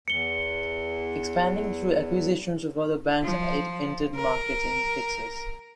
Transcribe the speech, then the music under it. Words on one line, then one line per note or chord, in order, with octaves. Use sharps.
Expanding through acquisitions of other banks it entered markets in Texas.
E2 C#7 G7
F3
A#4